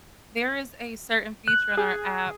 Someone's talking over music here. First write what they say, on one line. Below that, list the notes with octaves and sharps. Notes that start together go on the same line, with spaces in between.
there is a certain feature on our app,
F#6
G#4